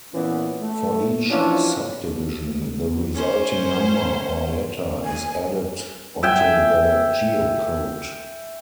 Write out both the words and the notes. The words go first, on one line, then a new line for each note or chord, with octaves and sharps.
For each subdivision, the resulting number or letter is added onto the geocode.
A#2 E3 B3 C#4
A3
E3 F3 C#4 D4 E4 F4
C#4 C5
G#5
E5 G5 G#5